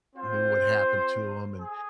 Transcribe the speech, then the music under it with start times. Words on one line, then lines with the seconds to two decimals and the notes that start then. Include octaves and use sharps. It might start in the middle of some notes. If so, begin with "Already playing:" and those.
knew what happened to him, and,
0.16 C4 F4 C5
1.59 G#4